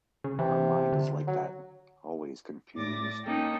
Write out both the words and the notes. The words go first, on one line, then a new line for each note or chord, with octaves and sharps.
Our mind is like that, always confused.
C#3
C3 E3
D3
F#3
A2 D5 D6 A6 A#6
A#3 C#4 D#4 A4 G5